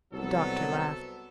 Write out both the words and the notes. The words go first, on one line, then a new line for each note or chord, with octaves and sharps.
The doctor laughed.
C2 F#3 B3 A4